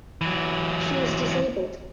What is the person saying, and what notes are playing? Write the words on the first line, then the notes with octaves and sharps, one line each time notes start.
She is disabled.
E3 F#3